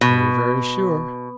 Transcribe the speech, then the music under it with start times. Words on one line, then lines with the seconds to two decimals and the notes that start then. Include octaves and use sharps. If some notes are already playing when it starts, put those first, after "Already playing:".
"Very, very sure!"
0.01 B2